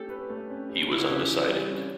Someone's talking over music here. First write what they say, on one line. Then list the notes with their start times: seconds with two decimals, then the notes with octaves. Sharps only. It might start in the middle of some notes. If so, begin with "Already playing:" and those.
He was undecided.
Already playing: A3 C#4 G4 A4
0.09 B4
0.30 A3
0.50 C#4
0.69 G4
0.82 D4
0.90 E4 B4
1.00 F#4
1.09 C#3 G4
1.30 E3
1.49 G3
1.70 C#4